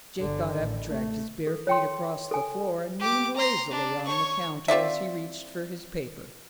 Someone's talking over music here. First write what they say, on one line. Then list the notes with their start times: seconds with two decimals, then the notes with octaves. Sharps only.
Jake got up, dragged his bare feet across the floor, and leaned lazily on the counter as he reached for his paper.
0.17 G1 D3
0.57 A1
0.89 A3
1.47 A4
1.67 C#5 G5 C6
2.31 A4 G#5
3.00 G4 D6
3.36 A#5 C6
3.70 D4
4.05 C#5 C#6
4.68 C4 F4 D5 E5